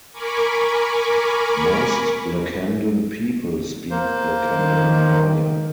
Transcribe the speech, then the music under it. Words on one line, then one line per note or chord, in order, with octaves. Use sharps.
Most Lacandon people speak Lacandon Maya.
A#4 G#5 B5 C#6 D6
A#3 C5
D#3